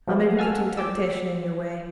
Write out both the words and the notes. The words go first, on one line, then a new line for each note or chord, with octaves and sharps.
I may be putting temptation in your way.
F3 F#3 A3 B3
F5 F#5 G#5 A5 E6 F6
G5 D6 E6